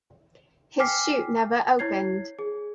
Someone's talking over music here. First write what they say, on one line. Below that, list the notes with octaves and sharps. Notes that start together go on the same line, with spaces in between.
His chute never opened.
G5 G#5 D6 F6 B6 C7
E4 C#5 G#6 C7
G#4